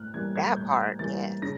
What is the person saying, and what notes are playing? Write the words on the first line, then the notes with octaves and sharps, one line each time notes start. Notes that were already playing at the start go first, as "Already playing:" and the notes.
That part, yes.
Already playing: A2 F6 F#6
E3 G3 A#3 G#6
G#6
A2 G6
E3 G3 A#3 A6
C#3 A#6